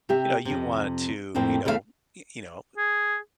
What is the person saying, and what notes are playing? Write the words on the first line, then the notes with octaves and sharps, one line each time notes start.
you know, you want to, you know y you know,
C3 G4 E5
F2 C3
F2 A2 A#3 C4
E2 C#3 A3 E4 E5 F5
G#4